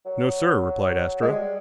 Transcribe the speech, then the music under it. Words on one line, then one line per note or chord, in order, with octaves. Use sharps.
"No, sir," replied Astro.
F#3
G#3
G3